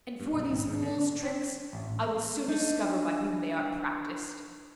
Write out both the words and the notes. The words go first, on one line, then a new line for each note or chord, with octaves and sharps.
'And for these fool's tricks--I will soon discover by whom they are practised.'
G2
B1
G#1
G#2
D3
D4
C4
A1
D4 D#4